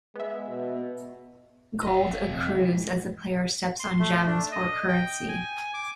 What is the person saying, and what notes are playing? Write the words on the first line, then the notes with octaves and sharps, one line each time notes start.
Gold accrues as the player steps on gems or currency.
G#3 B3 E5
B2
F#1 D#5 F5
F1 C3
E3 G#3
C6
A3
D4
D#5
G5
G#5
D6